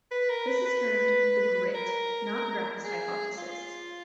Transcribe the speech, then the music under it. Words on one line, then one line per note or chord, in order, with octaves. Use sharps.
This is termed the Grit, not grass hypothesis.
B4
A#4
B4
B4
A#4
G#4
F4